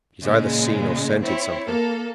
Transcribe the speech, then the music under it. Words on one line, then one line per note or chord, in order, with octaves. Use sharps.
He's either seen or scented something.
A#2 C#3 G#3
C4 E4 C#5
A#3 A4